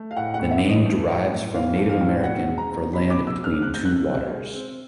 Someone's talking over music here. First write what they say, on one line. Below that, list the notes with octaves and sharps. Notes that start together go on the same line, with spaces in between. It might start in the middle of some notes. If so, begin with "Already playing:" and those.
The name derives from Native American for land between two waters.
Already playing: A3
F5
A2 F#5
F#5
A2
E5
E3
D#5
A3
A2
A2
E3 F5
A3
F5
A2
B2 F#5
G#3
A#5
C4
B2 B5
D6
B2
E6
G#3 F6
C4 F#6
G6
B2 F#6
B2
G#3
C4